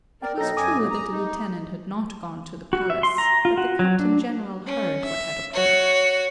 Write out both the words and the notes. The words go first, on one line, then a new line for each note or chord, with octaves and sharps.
It was true that the lieutenant had not gone to the Palace, but the Captain-General heard what had occurred.
A#4 D5 G5
B2 F#3 D#4 A4 A#6
F#2 G#5 D6 D#6
A#2 F#3 A3
A#5
D#4
F#4
E5
C6
A#5
F4
F#4
F#3
D4
C#4
E5
F#4 C#5